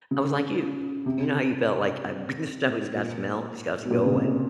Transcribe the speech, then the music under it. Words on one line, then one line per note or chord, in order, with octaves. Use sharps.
I was like you. You know how you felt like, "I've been to snow. It's got to melt. It's got to go away."
C#3
C3
A#2
B2
A#2
C#3
C3